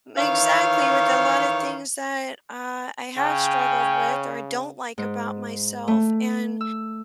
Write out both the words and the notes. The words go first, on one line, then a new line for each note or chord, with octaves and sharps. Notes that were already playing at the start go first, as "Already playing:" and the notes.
Exactly, with a lotta things that, uh, I have struggled with or I don't like about myself and
D#3 E3 C#5 F5
C#3 C#4 G5
G#2
A3
E6